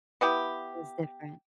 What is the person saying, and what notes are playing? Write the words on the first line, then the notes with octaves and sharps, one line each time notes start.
It was different.
B3 E4 G4